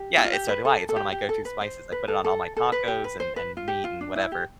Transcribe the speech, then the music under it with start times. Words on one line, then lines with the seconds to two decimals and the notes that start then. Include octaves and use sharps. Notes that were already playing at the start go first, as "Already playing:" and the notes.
Yeah, and so do I. It's one of my go to spices. I put it on all my tacos, and and meat, and whatever.
Already playing: G4
0.18 E4
0.25 F4
0.33 G4
0.49 B4
0.65 A4
0.89 A4
0.96 G4
1.12 G4
1.29 A4
1.45 B4
1.61 C5
1.92 B4
2.08 A4
2.24 A4
2.57 A4
2.72 B4
2.88 G4
3.04 B4
3.20 C5
3.36 B4
3.57 F4
3.68 G4
3.84 F4
4.01 D4
4.16 E4
4.32 G4